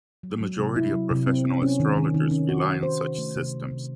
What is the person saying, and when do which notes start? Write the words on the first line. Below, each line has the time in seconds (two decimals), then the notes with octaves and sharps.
The majority of professional astrologers rely on such systems.
0.23 F#3
0.40 F#3
0.58 C3
0.76 E4
0.93 F#3
1.11 C3
1.27 C4
1.45 C4
1.62 C#4
1.80 D#3
1.97 D#3
2.14 D#3
2.31 C#4
2.49 F#4
2.66 C#4
2.83 C5
3.01 C3
3.18 A3
3.36 C3
3.53 A3
3.71 C3